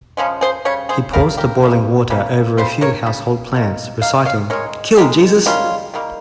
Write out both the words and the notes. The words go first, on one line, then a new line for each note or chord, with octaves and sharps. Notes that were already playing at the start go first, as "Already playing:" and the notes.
He pours the boiling water over a few household plants, reciting "Kill Jesus".
C#3 F3 G#3 C#4
G#4 C5
C#3 G3 C#5
G#4 C5
C#3 G3 A#3 A#4
G4 A#4
C#3 G3 A#3
C#3 G3 A#3
C#3 G3 C5
A#4 C#5
C#3 G3
D#3 A#3
D#3 A#3 F5
C#5 F5
D#3 G#3 A#4 C#5
D#3 G#3 G4 A#4
D#3 G3 A#3 C#4 F4
D#3 G3 A#3